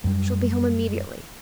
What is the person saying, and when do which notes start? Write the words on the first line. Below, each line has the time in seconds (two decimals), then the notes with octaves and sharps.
She'll be home immediately.
0.04 F#2 G3